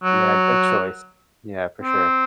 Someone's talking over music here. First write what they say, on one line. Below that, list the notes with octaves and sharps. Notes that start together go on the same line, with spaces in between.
Yeah, good choice. Yeah, for sure.
F#3
C4